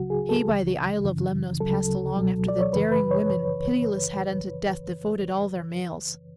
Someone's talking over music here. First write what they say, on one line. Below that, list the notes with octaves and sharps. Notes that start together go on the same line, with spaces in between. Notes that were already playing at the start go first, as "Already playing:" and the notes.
He by the isle of Lemnos passed along After the daring women pitiless Had unto death devoted all their males.
Already playing: C#2 C#3 F#3 F#4
G#4
A4
C#2 C#3 E3
F#2 C#3 E3
D2 C#3 F#3 A4
C#2 B2 F#3
D5
C#5
F#2 C#3 E3 B4
B4
C#5